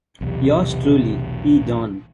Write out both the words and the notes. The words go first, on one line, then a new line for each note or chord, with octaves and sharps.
Yours truly, E. Daun.
B1 E2 C3